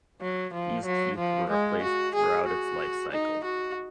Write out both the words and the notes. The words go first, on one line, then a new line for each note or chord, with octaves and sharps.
These teeth were replaced throughout its life cycle.
F#3
F3
F#3
F3
G#3
F#4
G#4
F#4
D#4
F#4